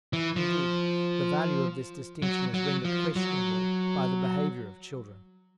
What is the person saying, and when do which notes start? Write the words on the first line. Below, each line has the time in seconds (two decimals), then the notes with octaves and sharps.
Indeed, the value of this distinction is rendered questionable by the behavior of children.
0.13 E3
0.36 F3
2.22 F#3
2.54 F#3
2.85 F3
3.16 F#3